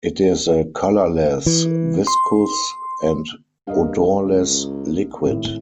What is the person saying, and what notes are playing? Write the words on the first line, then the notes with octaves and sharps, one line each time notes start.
It is a colorless, viscous and odorless liquid.
E3
C6
G2 A#4 D#5 F5
C#2
G#1 A2